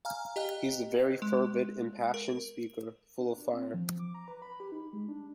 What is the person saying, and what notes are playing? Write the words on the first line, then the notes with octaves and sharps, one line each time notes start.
He is a very fervid, impassioned speaker — full of fire!
F5 G#5 A#5 F6
G4 D#5 G5 F#6
G#3
A#4
D4
C4
F3
D6
A#5
B4
B5
G4
D#4
G#3
D4